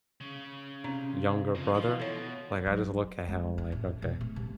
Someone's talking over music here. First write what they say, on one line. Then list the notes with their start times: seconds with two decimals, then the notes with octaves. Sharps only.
younger brother. Like, I just look at how, like, okay.
0.21 C#3
0.84 C3 C#4
1.55 C#3 F3 C4 D#4
1.75 E3 F3 F4
2.00 B2 A4 C#5
2.66 F#3
3.28 G#3
3.58 E4
3.72 A1
4.02 B2
4.21 A3
4.36 C3